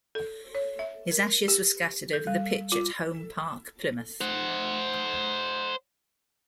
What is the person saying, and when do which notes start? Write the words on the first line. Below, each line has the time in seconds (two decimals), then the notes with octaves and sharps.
His ashes were scattered over the pitch at Home Park, Plymouth.
0.15 A4
0.55 C#5
0.79 E5
1.11 A#4
1.48 G4
2.13 A4
2.27 G3
2.72 F4
4.21 C5 F#5